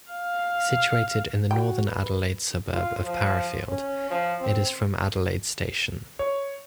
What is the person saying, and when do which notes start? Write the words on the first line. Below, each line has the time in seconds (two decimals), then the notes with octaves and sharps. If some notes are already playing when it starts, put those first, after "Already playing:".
Situated in the northern Adelaide suburb of Parafield, It is from Adelaide station.
0.10 F5
1.51 F#4 G5
1.86 B4
2.73 F4
3.04 F3
3.69 C#4
4.11 F3
4.41 C4
6.19 C#5